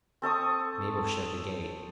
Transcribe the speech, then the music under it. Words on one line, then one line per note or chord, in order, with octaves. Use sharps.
Mabel shut the gate.
C4 A4 C#6 D#6